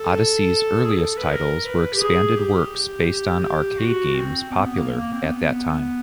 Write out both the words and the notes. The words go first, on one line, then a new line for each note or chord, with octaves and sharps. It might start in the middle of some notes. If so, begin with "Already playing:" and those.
Odyssey's earliest titles were expanded works based on arcade games popular at that time.
Already playing: A4
G#4
A4
B4
A#4
B4
G4
G#4
G4
F#4
C4
B3
A#3
A#3
C4
B3